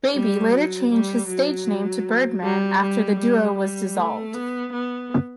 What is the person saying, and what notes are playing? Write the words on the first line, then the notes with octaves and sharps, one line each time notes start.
Baby later changed his stage name to Birdman after the duo was dissolved.
G3
F#3
G3
F#3
G3
G3
G3
G3
A3
B3
B3